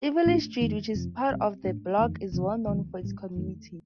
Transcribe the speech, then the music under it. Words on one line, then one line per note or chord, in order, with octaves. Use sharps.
Eveleigh Street, which is part of 'The Block', is well known for its community.
A1 A2 A3 D4
F2 D#3 A3
F2 C3 F3
A#1 A#2 G3 C4
A2 A3 D4
F2 D#3 A3
D2 C3 F3
D2 C3 F3
A1 A2 G3
F2 D#3 A3